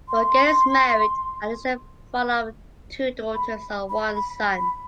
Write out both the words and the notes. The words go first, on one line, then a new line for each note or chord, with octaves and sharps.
Vogel is married and is the father of two daughters and one son.
C6
B5
B5
B5
B5